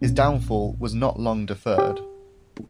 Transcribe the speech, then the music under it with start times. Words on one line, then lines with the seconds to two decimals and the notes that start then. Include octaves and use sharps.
His downfall was not long deferred.
0.02 A#1 B2 B3 C#4
1.78 G4